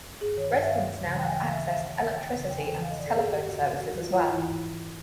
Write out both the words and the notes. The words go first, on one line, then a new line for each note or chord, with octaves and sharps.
Residents now have access to electricity and telephone services as well.
G2 G#4
D#3 C#5
G2
E5
D#3 F5
F#5
D2
C#3 E3
D2 G5
G#5
C#3 E3 G5
F5
D#2 E5
D#3 E5
D#2 F#5
D#3
E2 G5
C#3 E3 F#5
E2 G5
G#5
C#3 E3 G5
F#5
G2 F5
D#5
D#3 D5
A4
G2 G#4
D#3 G4
D#2 F#4
D#3
D#2 F#4
D#3 F4
G#2 F4
E3 E4
G#2
E3